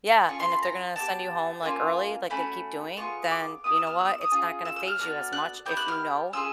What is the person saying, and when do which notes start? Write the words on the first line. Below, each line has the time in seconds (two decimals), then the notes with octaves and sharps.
Yeah, and if they're gonna send you home, like, early, like they keep doing, then, you know what? It's not gonna phase you as much if you know,
0.29 C#4 F4 A4 C#6
0.40 C6
0.52 B5
0.62 A#5
0.95 B3 E4 A5
1.00 G4
1.63 A#3 C#4 F4
2.30 A3 C#4 F#4 B5
2.97 B3 D4 F4 G#4 C#6
3.31 D6
3.64 B3 E4 G4 D#6
3.76 E6
3.87 F6
3.99 E6
4.05 D#6
4.09 E6
4.21 D#6
4.31 C#4 F4 G#4
4.65 E6
4.76 E6
4.88 F6
4.99 B3 D4 F#4 A4 F6
5.33 F#6
5.66 B3 E4 G4 G6
5.77 F#6
5.88 F6
6.33 C#4 F4 G#4 E6